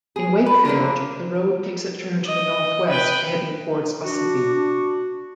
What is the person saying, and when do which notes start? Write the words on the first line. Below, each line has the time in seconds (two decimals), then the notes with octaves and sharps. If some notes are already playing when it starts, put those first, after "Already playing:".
In Wakefield, the road takes a turn to the northwest heading towards Ossipee.
0.16 G#4
0.46 B4
0.65 D3 F3 A#3 A#4
2.26 D#5
2.90 B4 G5
4.04 D4 F#4